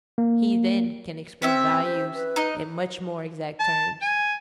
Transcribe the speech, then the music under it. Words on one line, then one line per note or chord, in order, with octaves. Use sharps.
He then can express values in much more exact terms.
A#3
C4 C#4 G4 E5
C5
B4
D#4 D#5
A5
G#5